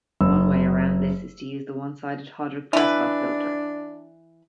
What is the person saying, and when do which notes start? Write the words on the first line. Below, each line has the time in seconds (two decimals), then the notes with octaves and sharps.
One way around this is to use the one-sided Hodrick-Prescott filter.
0.21 F#1 E6
2.73 E3 D4 B4